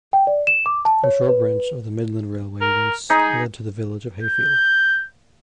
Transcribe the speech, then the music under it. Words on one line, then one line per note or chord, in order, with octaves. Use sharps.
A short branch of the Midland Railway once led to the village of Hayfield.
G5
D5
E7
D6
A5
C#5
B4
A#4
D#4 G#4
G6